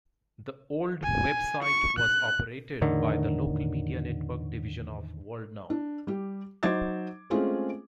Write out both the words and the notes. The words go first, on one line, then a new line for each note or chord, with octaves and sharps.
The old website was operated by the Local Media Network division of WorldNow.
G#5
C#6
F#6
E2 A2 D3 D#3
D4
G3 G4
F#3 D#4 C5 D6 G#6 A6
G#3 A3 C4 C#4 F4 G#4